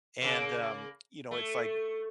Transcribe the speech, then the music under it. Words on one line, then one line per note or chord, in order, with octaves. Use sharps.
And, um, you know, it's, like,
C#3 A#3
A3